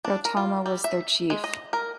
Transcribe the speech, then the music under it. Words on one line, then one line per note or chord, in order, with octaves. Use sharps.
Gautama was their chief.
D4
A#4
F4
G3
E5
G#3
D#5
A#4